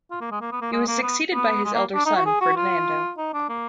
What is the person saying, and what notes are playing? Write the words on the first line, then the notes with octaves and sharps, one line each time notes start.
He was succeeded by his elder son, Ferdinando.
F4
A#3
G#3
A#3
B3
A#3
G#3
A#3
B3
B3
G#3
A#3
D4
D#4
F#4
G#4
F#4
F4
D#4
D4
A#3